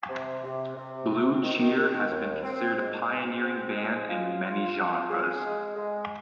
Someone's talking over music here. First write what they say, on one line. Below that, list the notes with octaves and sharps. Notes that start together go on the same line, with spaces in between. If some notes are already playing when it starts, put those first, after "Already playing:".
Blue Cheer has been considered a pioneering band in many genres.
C3
C3
C3
C3
D#3
D#3
D#2
C4
G#2
G#3
C4
G#3
F4
F4
F4
G#4
G#3
G#3